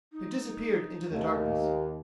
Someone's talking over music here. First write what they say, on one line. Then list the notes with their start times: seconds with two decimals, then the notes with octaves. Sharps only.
They disappeared into the darkness.
0.12 D#4
1.11 D#2 A3